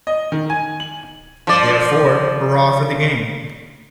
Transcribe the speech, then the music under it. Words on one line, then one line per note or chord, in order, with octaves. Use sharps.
Therefore, hurrah for the game.
D#5
D#3
G#5
F#7
F3 D5